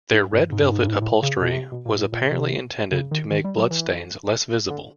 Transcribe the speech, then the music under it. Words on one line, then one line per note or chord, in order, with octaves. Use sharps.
Their red velvet upholstery was apparently intended to make bloodstains less visible.
G#2
G2
G#2
G2
G#2
G2
A2
G#2
A2
C#3
B2
C3
B2
A#2
A2
A#2
C3
C#3
D#3
D#3
G3
F#3
E3
D3